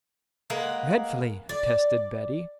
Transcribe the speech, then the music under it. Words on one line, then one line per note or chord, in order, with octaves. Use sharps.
"Dreadfully," attested Betty.
G#3 A#3 B4 F#5
D5